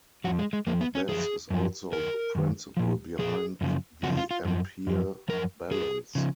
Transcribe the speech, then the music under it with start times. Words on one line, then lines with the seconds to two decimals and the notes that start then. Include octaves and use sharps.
This is also the principle behind the ampere balance.
0.24 F2 F3 F#4
0.39 G#3
0.53 G#3
0.67 F2 F3 A#3
0.81 B3
0.95 C#4
1.09 F#2 F3 G#4
1.50 F#2 F3
1.93 F#2 D#3 A#4
2.35 F#2 D#3
2.77 A#2 F3
3.19 A#2 F3 G#4
3.61 F#2 C#3 F3
4.03 F#2 C#3 F3 F#4
4.17 F4
4.31 F4
4.45 F#2 F3
4.87 F#2 F3
5.28 F#2 F3 A#4
5.71 F#2 F3 G#4
6.15 C#3 F3